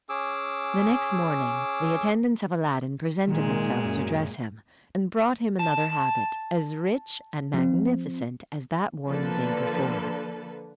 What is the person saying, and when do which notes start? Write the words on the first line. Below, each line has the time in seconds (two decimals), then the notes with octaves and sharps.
The next morning the attendants of Aladdin presented themselves to dress him, and brought him another habit, as rich and magnificent as that worn the day before.
0.09 C#4 G#4 D6 E6
3.27 A#2 D#3 G#3
3.85 F#2
5.59 A5
7.54 F3 C4
9.06 D3 F3 A#3 A4 B4